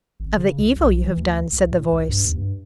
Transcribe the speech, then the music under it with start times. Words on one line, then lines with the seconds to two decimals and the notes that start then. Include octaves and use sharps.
"Of the evil you have done," said the voice.
0.20 G#1
0.38 C#3
0.59 C#2
0.76 B1
1.04 E3
1.17 D2
1.53 C#2
1.72 A2
1.92 C#2
2.09 G2
2.25 D#2
2.37 G2